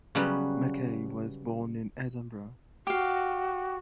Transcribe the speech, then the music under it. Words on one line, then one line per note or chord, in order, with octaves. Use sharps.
Mackay was born in Edinburgh.
C#3 F#3 G3 B3 C#4
F#4 G4 F5